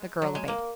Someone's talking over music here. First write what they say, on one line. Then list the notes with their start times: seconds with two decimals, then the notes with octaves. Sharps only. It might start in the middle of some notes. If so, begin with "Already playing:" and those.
The girl obeyed.
Already playing: G#3
0.22 F#3
0.35 G#3
0.48 A#3